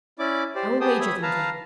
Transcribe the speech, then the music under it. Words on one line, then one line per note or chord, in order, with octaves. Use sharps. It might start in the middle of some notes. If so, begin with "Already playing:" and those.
"I will wager them, then."
C#4 E4 D5 D6
G4 C5 D5
B3 G4 G#4 G5 A5 D#6
C#5 E5 B5 D#6
B4 F5 A5 A#5